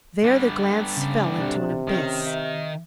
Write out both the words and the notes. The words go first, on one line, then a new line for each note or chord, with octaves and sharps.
There the glance fell into an abyss.
D3 G3
C#3
B1 C3 D4
D#3 C#4
E5